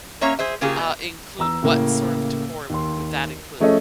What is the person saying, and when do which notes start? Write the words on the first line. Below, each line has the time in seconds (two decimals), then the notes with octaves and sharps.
uh, include? What sort of decor would that include?
0.21 A#3 C#4 C#5 E5 A#5
0.39 G#4 C5 E5
0.61 C#3 A#3 F4 G4 G#4
0.78 B2
1.39 E2 A#5 E6
1.62 A2 C#3 A#3
2.70 D#2 C6
3.60 F3 A3 C#4 G#4 A4 D#5